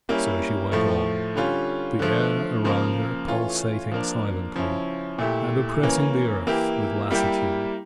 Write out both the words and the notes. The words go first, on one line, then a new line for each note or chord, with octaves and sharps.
So she went on, the air around her pulsating silently, and oppressing the earth with lassitude.
G3 A#3 C#4 E4
A2 F3 A3
D3 G3 C#4 F4
D3 F3 A3
C#3 F3 A#3
E3 A3 C#4 F4
F3 A#3 D4
C#3 F3 C#4 E4
A#2 A3 E4 G4
C#3 E3 A#3 C#4
E3 A#3 E4 G4
G3 A#3 E4 G4